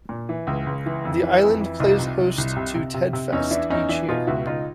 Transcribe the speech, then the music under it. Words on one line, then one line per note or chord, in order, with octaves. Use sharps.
The island plays host to Ted Fest each year.
A#2
E3
C#2
C#2
E3
F2
E3
F2
E3
C2 D#4 F4
C3
C2
C2
C3
C3
C3
C3
E2 C#4 D#4
E3 D4 E4
E2 C#4 D#4
E3 D4 E4
B2 D#4 F4
C#2 E4 F#4
C#2 D#4 F4